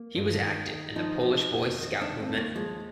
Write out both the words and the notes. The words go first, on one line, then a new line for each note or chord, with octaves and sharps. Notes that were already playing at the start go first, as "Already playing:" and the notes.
He was active in the Polish Boy Scout movement.
Already playing: A#3
G2
D#3
D#3
F3 D#4
F3
F2
D#3
D#3 D4
C4
D#2
A#3
F3 G#3